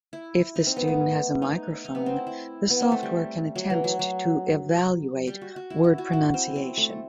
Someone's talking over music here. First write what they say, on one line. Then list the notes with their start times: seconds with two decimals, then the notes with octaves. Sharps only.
If the student has a microphone, the software can attempt to evaluate word pronunciation.
0.13 E4
0.56 D#4
0.67 C4
0.77 B3
0.88 A3
1.42 D#4
1.85 D#4
1.95 B3
2.06 C4
2.16 E4
2.27 E4
2.70 B3
2.81 C4
2.92 A3
3.03 G3
3.56 F#3
3.70 E3
3.84 F#3
3.99 F#3
5.27 G3
5.42 F#4
5.56 F#4
5.70 E4
5.84 E4
5.98 F#4
6.13 E4
6.34 C4
6.56 C4
6.77 A3